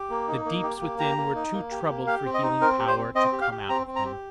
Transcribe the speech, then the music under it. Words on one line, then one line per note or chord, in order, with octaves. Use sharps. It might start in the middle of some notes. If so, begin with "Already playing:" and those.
The deeps within were too troubled for healing power to come out of them.
Already playing: G4
A#3
D#4
A#3
G4
A#3
G4 A#5
A#3
D#4
A#3
G4
A#3
G4 F5
C4
D#5
D#4
C4 A#4
G4
C5
C4
C4 D#5
G4
F5
G4
C4 A#5
C4
A#5
G4